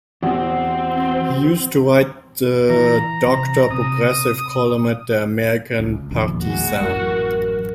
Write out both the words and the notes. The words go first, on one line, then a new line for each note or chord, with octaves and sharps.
He used to write the "Doctor Progressive" column at "The American Partisan".
E2 C4 F#4 G4
E3 A#5
C3
C3 D#6
C#2
E1 A#1 D#2
G#3 F#4
A1 F#2 A#4